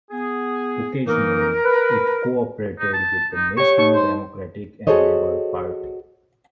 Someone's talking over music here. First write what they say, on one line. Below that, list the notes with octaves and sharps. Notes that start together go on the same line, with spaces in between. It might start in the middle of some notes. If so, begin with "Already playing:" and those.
Occasionally, it co-operated with the National Democratic and Labour Party.
B3 G#4
E3 A#3 D#4 A#4
B4
D#4
A5
D#4
G4 C#5 C#6
D#4 C#6
C5
F#4 G#4 A4 C5 C#5 D#5